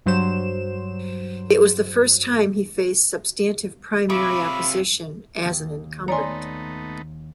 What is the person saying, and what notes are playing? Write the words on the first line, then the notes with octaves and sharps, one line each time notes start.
It was the first time he faced substantive primary opposition as an incumbent.
G2 F#3 C5 E7
C3 F4 C#5 E5 B5 D6
D#2
A3 B3 D#4 C#5 D5 G#5 A#5 C6